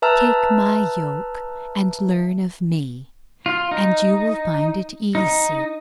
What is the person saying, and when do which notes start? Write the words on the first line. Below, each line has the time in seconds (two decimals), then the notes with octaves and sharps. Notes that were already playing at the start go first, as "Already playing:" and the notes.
Take My yoke and learn of Me, and you will find it easy.
0.02 B4 E5 A5 A#5 E6 F6
3.46 F4
3.71 D#4
5.15 D#4